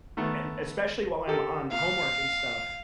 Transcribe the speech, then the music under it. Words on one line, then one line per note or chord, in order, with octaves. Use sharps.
And especially while I'm on homework and stuff
D#3 A3 B3
G4 A4 A#4
A#2 F5